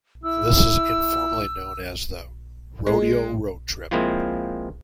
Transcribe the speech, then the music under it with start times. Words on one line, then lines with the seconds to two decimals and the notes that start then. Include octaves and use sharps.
This is informally known as the "Rodeo Road Trip".
0.24 E4 E6
2.86 G#3
3.91 F3 G#3 A#3 C4 E4 F4